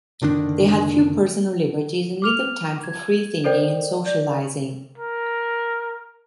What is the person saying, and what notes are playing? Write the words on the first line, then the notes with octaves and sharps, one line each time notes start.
They had few personal liberties and little time for free thinking and socializing.
F#1 D3 D#3 D4
D6 F6 F7
G#6
A4 A#4 C5 D5 D#5 G5
D5
A#4